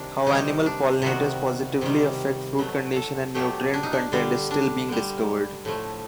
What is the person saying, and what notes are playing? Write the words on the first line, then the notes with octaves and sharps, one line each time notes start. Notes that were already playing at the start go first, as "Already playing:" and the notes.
How animal pollinators positively affect fruit condition and nutrient content is still being discovered.
Already playing: C3 D#3 G3 D4
C3 D#3 G3 D#4
D4
C3 D#3 G3 F#4
C3 D#3 G3
B2 F#3 A3
A4
B2 F#3 A3 G4
D4
D#4
D4
D3 G3
D4
D3 G3
A2 F3 A3